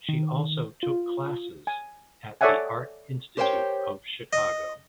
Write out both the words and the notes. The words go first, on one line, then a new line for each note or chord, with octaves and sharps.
She also took classes at the Art Institute of Chicago.
D#3
F4
G#5
A4 C#5 D5 E5 F#5 G#5
G4 A#4 C5 C#5 F#5 G5
D#5